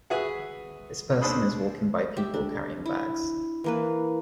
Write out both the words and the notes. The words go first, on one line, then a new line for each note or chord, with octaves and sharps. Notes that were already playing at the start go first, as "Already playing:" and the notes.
This person is walking by people carrying bags.
F#4 G#4 B4 E5 F#5
D#2 D4 A4 C5 B5 D#6
G4 E5
D4
E4
E3 A#3 B4